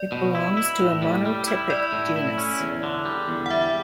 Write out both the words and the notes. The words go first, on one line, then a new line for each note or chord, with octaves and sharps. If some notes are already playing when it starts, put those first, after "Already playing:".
It belongs to a monotypic genus.
Already playing: D5
B2
E4
E4
A2
G3
G3
E4
E4 D5
A2
E4
C#4
E2
D3
G3
E2
F#5
G3 E5